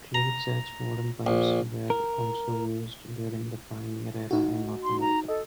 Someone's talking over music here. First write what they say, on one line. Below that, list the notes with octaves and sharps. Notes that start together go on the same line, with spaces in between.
Clay churchwarden pipes were also used during the pioneer era in North America.
A#5
A#1
A#4
D#4 F#4
C6
A#5
A4 D#5